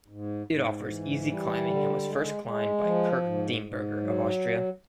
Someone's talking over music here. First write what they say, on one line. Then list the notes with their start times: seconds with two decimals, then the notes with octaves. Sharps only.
It offers easy climbing and was first climbed by Kurt Diemberger of Austria.
0.08 G#2
0.47 G#2
0.86 E3
1.26 G3
1.66 D3
2.04 G#3
2.44 G#3
2.83 F3
3.22 G#2
3.61 G#2
4.01 F#3